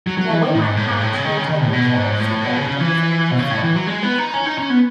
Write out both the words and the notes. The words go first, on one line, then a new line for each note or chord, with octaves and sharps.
Well, we might have to take each other's suggestions and just go have a good time, then.
F#3
F#3
E3
D#3
A2
G#2
A2
G#2
A2
C#3
D#3
C#3
D#3
A2
B2
G#2
A2
B2
C#3
C#3
E3
B2
C#3
A2
E3
F#3
G#3
B3
D#4
C#4
D#4
C#4
B3